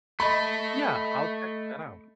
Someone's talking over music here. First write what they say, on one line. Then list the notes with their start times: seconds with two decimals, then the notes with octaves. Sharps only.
Yeah. I'll check that out.
0.20 A3 D#5 B5